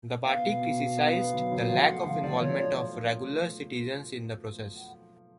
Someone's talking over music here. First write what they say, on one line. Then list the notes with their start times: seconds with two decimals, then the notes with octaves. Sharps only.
The party criticized the lack of involvement of regular citizens in the process.
0.25 B3 F5
0.43 B2
0.61 B2
0.79 B3
0.97 B3
1.16 B3
1.33 F#3
1.52 F#3
1.70 F3 F5
1.88 A3 F#5
2.05 F3 F5
2.24 F3 D5
2.41 F3 C#5
2.60 F4